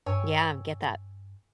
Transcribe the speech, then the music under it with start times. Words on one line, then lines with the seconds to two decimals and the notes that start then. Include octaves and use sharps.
Yeah, get that.
0.06 G2 C#5 G5 G#5 E6